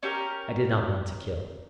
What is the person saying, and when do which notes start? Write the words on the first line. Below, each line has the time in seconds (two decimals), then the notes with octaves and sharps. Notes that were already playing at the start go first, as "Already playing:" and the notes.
I did not want to kill.
0.03 C#4 G4 A4 A#4